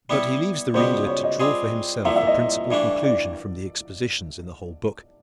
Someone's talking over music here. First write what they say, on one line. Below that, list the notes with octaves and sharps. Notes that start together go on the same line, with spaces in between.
But he leaves the reader to draw for himself the principal conclusion from the expositions in the whole book.
G3 B3 E4 A4
C#2 B2 G3 B3 C5
C#5
D#5
G3 C4 F4 G#4
C2 A#2 F3 E5
E5
D#5
G2 E3 A3 D4
D5